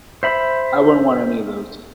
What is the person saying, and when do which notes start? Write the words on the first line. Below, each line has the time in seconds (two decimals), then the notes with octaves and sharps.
I wouldn't want any of those.
0.23 C5 E5 B5